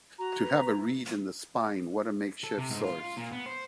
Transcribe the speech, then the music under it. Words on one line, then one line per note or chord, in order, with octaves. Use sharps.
To have a reed in the spine, what a makeshift source!
F#4 A#5
B4
E4
A4
C3
G#2
F4
F4
A#2
B3
C5